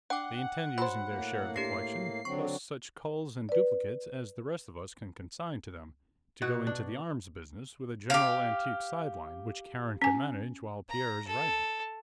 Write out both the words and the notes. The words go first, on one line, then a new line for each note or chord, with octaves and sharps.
They intend using their share of the collection, plus such culls and duplicates as the rest of us can consign to them, to go into the arms business, with a general-antique sideline, which Karen can manage while Pierre's writing....
D4 F#5 G5 D6
F#3 C5 B5
A2 A#3
D4 G4 A#6 C7
D3 F#3 C4 C#6
B4 D5
B2 F#4
D4
G4 F5
C#4 G#5
A#5
A4